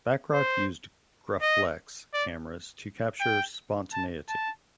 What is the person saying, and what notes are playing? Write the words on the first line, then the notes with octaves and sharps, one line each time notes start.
Bachrach used Graflex cameras "to capture spontaneity".
C5
D#5
D5
G5
A5
A5